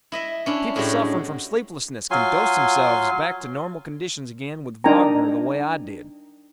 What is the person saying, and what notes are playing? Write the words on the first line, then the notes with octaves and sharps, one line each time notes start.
People suffering from sleeplessness can dose themselves back to normal conditions again with Wagner the way I did.
E4 D#5 E5
C#4 D4 E4
A2 F#3 G#3 G4
F#3 F4 G#5 C6
D4 D#4 A#4 G5 G#5 A#5